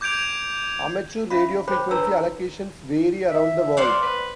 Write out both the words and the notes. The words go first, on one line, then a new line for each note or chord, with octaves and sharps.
Amateur radio frequency allocations vary around the world.
D6 G6 G#6 D7 F7
C#4 E5 F5 B5
G#4 C5 C#5 G5 B5
D4 B4 C#5 A5 A#5 E6
E5
C5 D5 F5 F#5
B4